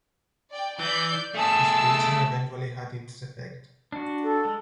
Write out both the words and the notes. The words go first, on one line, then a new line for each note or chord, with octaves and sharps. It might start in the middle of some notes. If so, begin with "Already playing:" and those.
His preaching eventually had its effect.
D5 G5
E3 D5 G6
A3 G#4 A5 E6
D4 F#4
A4
G#3